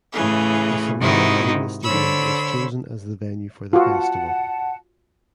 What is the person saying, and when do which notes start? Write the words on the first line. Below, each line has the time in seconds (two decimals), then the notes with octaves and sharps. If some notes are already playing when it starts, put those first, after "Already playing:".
The Samara Arena stadium was chosen as the venue for the festival.
0.12 A2 C#3 E3 G#4
0.98 G#2 C3 D#3 D#4 E4 F#4
1.82 D3 C5 C#5 B5 E6
3.73 F4 F#4 F#5 A5